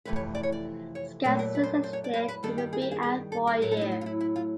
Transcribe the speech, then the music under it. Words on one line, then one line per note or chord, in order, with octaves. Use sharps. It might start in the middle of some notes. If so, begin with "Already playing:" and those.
Scans suggested he would be out for a year.
F2 C3 E3 A3 B4
C#5
D5
C#5
D5
C#5
A#2 F#3 A3 B4
A#4
B4
C5
C5
C#5
D5
B4
B4
G2 D#3 G3 A#3 A4
G4
G#4
G4
G#4
G#4
A4
A#4
A2 F#3 A3 A#4
A4
E4
D#4
D#4
F4
E4
E4
F4